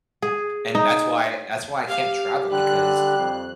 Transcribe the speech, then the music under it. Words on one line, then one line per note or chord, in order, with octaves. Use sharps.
And that's why that's why I can't travel because
G#4
D#4
G4 F5
D3 G3 F#6
F2 C5